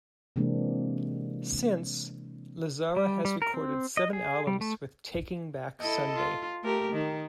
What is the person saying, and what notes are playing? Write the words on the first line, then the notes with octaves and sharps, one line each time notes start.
Since, Lazzara has recorded seven albums with Taking Back Sunday.
C3 E3 G#3 A#3 C4 D4
G3
G3
A#4
C4
D#5
G#4
G3
A3
E4 A4 D#5
F4
A3 G4 A#4
D#3